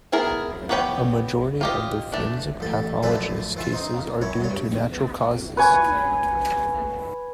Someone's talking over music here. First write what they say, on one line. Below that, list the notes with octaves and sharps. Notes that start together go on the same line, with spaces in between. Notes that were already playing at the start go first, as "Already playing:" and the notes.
A majority of the forensic pathologists cases are due to natural causes.
B3 E4 G#4 A#4
B3 G4 B4 C#5 G5
F4 G4 D#5
A3 D4
A1 A4
F#2 A2 F3 B4 D5 E5
E3 F4 E5
C4 D#4
F#2 E4 C#5
G2 C#5
B4 C#5 G#5